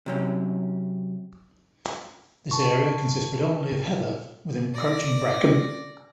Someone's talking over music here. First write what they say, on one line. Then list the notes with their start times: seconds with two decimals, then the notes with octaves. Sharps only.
This area consists predominately of heather with encroaching bracken.
0.06 C3 F#3 C#4
2.51 A5 C#6
4.74 D5 A#6